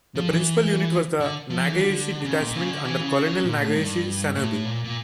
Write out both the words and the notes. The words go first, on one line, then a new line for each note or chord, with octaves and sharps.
The principal unit was the Nagayoshi Detachment under Colonel Nagayoshi Sanonebu.
F3
E3
D3
F3
E3
D3
C#3
A#2
C#3
D3
E3
C#3
A#2
A2
G2
A2
A#2
A#2